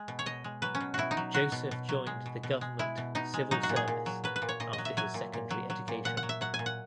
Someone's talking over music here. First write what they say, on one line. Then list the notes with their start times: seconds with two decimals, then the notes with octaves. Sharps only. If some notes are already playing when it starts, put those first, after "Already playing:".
Joseph joined the government civil service after his secondary education.
Already playing: G#3
0.08 B2
0.19 C#5
0.26 B2 D#5
0.44 G#3
0.62 F#3 B4
0.75 C#4
0.81 B2
0.94 B2 E4 F#4
1.11 D#4
1.17 F#3
1.34 F#3 F#4
1.52 B2
1.71 B2
1.89 F#3
2.07 G#3
2.26 B2
2.43 B2
2.61 G#3
2.79 G#3 E4
2.98 B2
3.15 B2 D#4
3.34 G#3
3.51 F#3 D#4
3.63 F#4
3.69 A#2
3.76 G#4
3.88 A#2
4.06 F#3
4.24 F#3 B4
4.36 B4
4.42 A#2
4.49 C#5
4.60 A#2 D#5
4.73 D#5
4.78 F#3
4.85 E5
4.97 F#3 G#5
5.14 A#2
5.33 A#2
5.50 F#3
5.70 F#3
5.88 A#2
6.05 A#2 F#5
6.17 F#5
6.23 F#3
6.29 E5
6.41 F#3 F#5
6.54 G#5
6.59 A#2
6.66 F#5